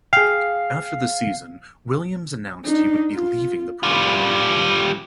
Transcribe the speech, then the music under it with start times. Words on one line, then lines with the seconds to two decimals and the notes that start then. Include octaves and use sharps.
After the season Williams announced he would be leaving the program.
0.13 G#4 F5 G5
2.64 D4 D#4
3.13 F4
3.83 G3 F4 B5